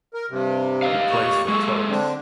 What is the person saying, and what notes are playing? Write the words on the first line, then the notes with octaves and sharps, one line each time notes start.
He plays for Turris.
A#4
G2 C3
G4 D#5 F5
C#6
G#3 G#4 A4
D3 C4 D4